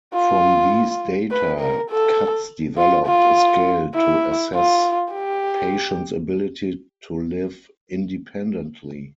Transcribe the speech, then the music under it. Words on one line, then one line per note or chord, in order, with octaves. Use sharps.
From these data, Katz developed a scale to assess patients' ability to live independently.
F4
B4
A#4
A4
F4
F4
E4
F4
G4